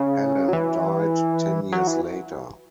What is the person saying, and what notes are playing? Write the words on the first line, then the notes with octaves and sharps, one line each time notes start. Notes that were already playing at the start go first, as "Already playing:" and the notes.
Helen died ten years later.
Already playing: C#3
F#3
E3
F#3
E3